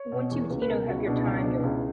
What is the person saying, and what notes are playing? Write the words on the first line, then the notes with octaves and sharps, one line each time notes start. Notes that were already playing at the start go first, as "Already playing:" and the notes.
and once you you know, have your time, you'll
Already playing: C#5
B2
E2
C#2 B4
B4
B2 A#4
C#2 F#4
E4
B2 D4
E4
C#2 D4
C#4
D4
B2
C#2 E4